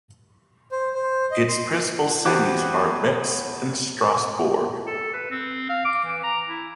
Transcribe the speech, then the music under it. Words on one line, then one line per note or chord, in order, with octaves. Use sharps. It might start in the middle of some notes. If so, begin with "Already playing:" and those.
Its principal cities are Metz and Strasbourg.
C5
C5
D#5
C6
E2 F#4 G4 C5 D6 F#6
A4
B4
C4
F5
D6
E3
A#5
E4